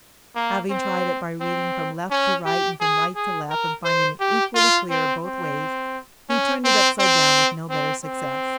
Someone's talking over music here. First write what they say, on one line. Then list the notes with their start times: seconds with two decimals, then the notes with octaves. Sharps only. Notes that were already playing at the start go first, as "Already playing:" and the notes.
Having tried it by reading from left to right, and from right to left, and finding it equally clear both ways, he turned it upside down with no better success.
0.35 A#3
0.70 C4
1.40 C4
2.10 C#4
2.45 G4
2.80 G#4
3.15 G#4
3.50 A#4
3.85 C5
4.20 G4
4.55 F4
4.90 C4
5.25 C4
6.29 C#4
6.64 C4
6.99 C4
7.70 C4
8.04 C4